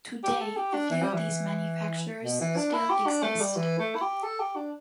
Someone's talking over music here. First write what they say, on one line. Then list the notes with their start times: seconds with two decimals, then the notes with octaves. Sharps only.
Today a few of these manufacturers still exist.
0.24 G4
0.41 A4
0.57 G4
0.74 D4
0.90 E3
1.03 G3
1.14 E3
2.23 B2
2.41 E3
2.57 D4
2.74 E4
2.90 G4
3.07 D4
3.23 A3
3.40 G3
3.57 E3
3.79 A3
3.95 E4
4.01 G4
4.23 A4
4.40 G4
4.56 D4